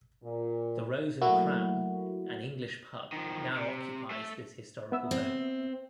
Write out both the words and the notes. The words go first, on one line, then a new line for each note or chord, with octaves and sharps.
The Rose and Crown, an English Pub, now occupies this historical home.
A#2
F#3 A3 A#3 E4 F#4
D#3 F3
C3
A3 E5
B3 E5 E6
C4